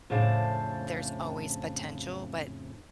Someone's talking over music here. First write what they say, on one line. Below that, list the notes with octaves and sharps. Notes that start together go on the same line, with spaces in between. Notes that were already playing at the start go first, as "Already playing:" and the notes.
there's always potential, but,
F2 A2 C#3 D4 C5 F5